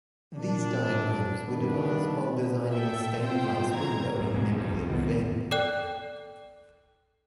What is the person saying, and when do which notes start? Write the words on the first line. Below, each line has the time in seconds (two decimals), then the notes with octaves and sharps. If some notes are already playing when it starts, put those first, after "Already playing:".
These diagrams were devised while designing a stained-glass window in memory of Venn.
0.37 A#2 D4
1.47 D#3 G3 A3 B3 D4
2.71 A4 E5 G5
3.21 B3 F4 C5 G5
3.68 B2 D3 E3 A#5 G#6
4.21 A2 C3
4.34 F2 B2 G#3
4.57 G2
4.74 C2
4.90 D#3 B3
5.51 A4 D5 G5 F#6